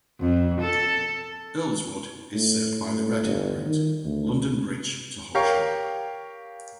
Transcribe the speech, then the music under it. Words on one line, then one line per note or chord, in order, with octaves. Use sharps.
Earlswood is served by the Redhill route: London Bridge to Horsham.
F2
A4
A2
A2
G1
D#3
D2
G4 A#4 C#5 F5 C#6